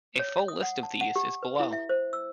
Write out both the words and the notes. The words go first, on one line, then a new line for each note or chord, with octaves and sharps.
A full list of these is below.
C#5
D#6
F#5
A5
F#5
G4
B4
E4
E5
C5
E6